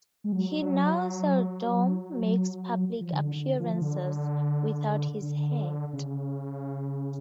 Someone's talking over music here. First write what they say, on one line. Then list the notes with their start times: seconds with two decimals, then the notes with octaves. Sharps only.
He now seldom makes public appearances without his hat.
0.24 G#3
0.32 F#3
3.01 F3
3.13 D3
3.36 D3
3.59 F3
3.82 D3
5.22 D3
5.93 C#3